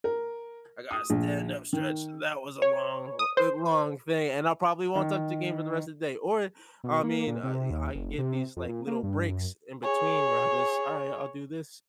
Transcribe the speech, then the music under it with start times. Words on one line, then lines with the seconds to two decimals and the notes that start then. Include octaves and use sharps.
I gotta stand up stretch. That was a long a long thing." and I probably won't touch the game for the rest of the day, or, I mean, uh, I can get these, like, little breaks in between where I just, "Alright, I'll do this
0.04 A#4
0.91 D#6
1.10 A#1
1.73 D#3
2.62 C#5
3.19 D#6
3.37 C5
4.95 D#3
6.84 B2
7.03 A#3
7.27 A#2
7.43 C3
7.70 D#2
7.95 F#1
8.18 C3
8.56 F2
8.69 A#2
8.87 A#3
9.03 G2
9.29 F#2
9.83 G#4 C#5